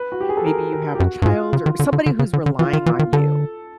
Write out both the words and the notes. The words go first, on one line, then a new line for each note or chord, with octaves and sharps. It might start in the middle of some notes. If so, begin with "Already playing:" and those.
maybe you have a child er somebody who's relying on you,
Already playing: B4
F#4
G4
G#4
A4
A#4
A#4
G4
F#2 F#4
G2
G#2 F4
C#3
D#3
D3
D3
D3
C#3
D3
D3
E3 F4
D#3
E3 F4
D#3
D3 A4